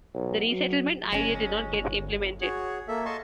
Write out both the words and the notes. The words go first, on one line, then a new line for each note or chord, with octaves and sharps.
The resettlement idea did not get implemented.
B1
F#3
G1 G#3 C#4
F#4 G#4 C#5
A#3 A4 E5
D#5 A5 C6 C#6